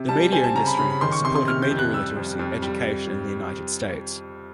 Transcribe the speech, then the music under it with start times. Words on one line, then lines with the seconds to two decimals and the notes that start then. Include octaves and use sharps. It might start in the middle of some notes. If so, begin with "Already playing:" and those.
The media industry has supported media literacy education in the United States.
Already playing: C3
0.09 G3 A5
0.20 A5
0.32 C4 G#5
0.44 A5
0.55 C#3 A#5
0.66 B5
0.78 C#3 B5
0.90 B5
1.01 D#3 C6
1.12 C#6
1.24 C3 C6
1.35 C6
1.47 C3 F6
1.62 G6
1.70 F2
1.79 F#6
1.93 G3 E6
2.16 F2
2.39 F2
2.62 G3